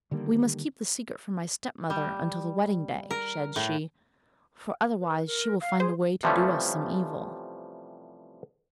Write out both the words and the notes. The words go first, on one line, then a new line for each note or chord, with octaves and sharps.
'We must keep the secret from my step-mother until the wedding-day,' said she, 'for otherwise she will find a way to do us some evil.'
D3 D#3 G3 A#3
G3
A#4
A2
B4
A#4
F5
G#4 C5
C3 E3 F3 G3 A3 C#4